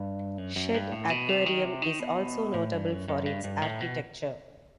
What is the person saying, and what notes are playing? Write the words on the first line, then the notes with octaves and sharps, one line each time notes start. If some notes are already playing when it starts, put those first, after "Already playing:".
Shedd Aquarium is also notable for its architecture.
Already playing: G2
F#2
F#2
G2
A2
B2
C3
D#3
C3
D#3
B2
A2
G2
F#2
F#2
G2
G2
A2
B2